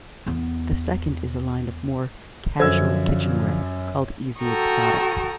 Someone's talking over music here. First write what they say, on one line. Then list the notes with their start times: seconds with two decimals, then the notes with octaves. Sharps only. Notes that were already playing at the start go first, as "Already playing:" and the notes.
The second is a line of more casual kitchenware called Easy Exotic.
0.26 E2 B3
2.60 F#2 D3 F3 E6 G#6
4.40 F#4 A4 G5 A#5 C#6 D#6